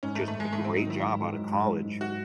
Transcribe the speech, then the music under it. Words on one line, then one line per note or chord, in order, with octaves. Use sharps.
just a great job out of college,
G#2 C#4
A3
G#2
A3
G#2 G#3
G#2 A3
C4
F#3
D#4
D#3 E4
G#2
F#3
G#2
G#2
G#2
G#2
F#4